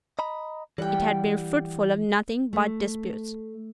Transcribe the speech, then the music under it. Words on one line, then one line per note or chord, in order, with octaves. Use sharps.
It had been fruitful of nothing but disputes.
D#5 A#5 B5
E3 G3 F#5 G5
A3